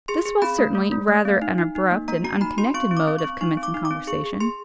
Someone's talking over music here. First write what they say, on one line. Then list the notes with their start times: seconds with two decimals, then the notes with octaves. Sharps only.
This was certainly rather an abrupt and unconnected mode of commencing conversation.
0.08 G#4 C6
0.26 G#4
0.42 C4 B5
0.58 A3
0.75 A3
0.92 A3
1.08 A3
1.25 C4
1.42 D#4
1.58 D#4
1.75 D#4
1.91 A#3
2.08 A#3 A#5
2.24 F#4 A#5
2.41 D#4 B5
2.58 F#4 C6
2.74 C4 C#6
2.91 C4
2.97 D6
3.08 C4
3.19 C#6
3.24 C4
3.41 D#4 C#6
3.57 C4
3.63 D6
3.74 D#4
3.85 D6
3.91 C4
4.07 G#4 C#6
4.24 G#4
4.40 G#4 C6